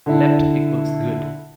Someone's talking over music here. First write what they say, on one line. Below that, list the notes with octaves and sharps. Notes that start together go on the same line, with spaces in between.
Left equals good.
D3 E4